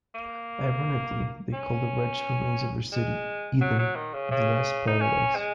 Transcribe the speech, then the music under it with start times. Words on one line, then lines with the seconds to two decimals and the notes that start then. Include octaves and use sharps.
Ironically, they called the wretched remains of their city Eden- the last paradise.
0.14 A#3
1.53 C#4
2.92 G#3
3.61 F#3
3.79 F#3
3.96 D#3
4.14 C#3
4.31 C#3
4.87 D#4
5.00 C#4
5.35 G#3